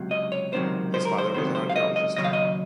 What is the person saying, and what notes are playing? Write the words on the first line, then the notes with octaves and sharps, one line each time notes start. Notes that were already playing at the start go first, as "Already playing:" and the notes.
His father was an archaeologist.
Already playing: C#2 C3 F#3
D#5
C#5
C#2 C3 D#3 F#3 C5
C5
A#4
C5
C#2 C3 D#3 F#3 C5
C5
F5
D#5
D#5
D#2 C#3 F#3 D#5
F5
D#5